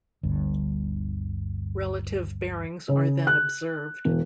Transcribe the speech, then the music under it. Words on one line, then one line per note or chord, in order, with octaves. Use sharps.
Relative bearings are then observed.
G1 D2 G2
C#3
F#6
E1